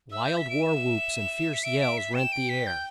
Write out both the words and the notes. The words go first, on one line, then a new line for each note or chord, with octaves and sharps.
Wild war-whoops and fierce yells rent the air.
E5 E6
G6
B6
D7
E7
B6
E5 D7
D7
B6
G5 E7
D7
B6
G6